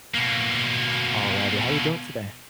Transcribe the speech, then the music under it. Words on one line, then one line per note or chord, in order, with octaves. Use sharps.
Alrighty. How you doing today?
B2 A#3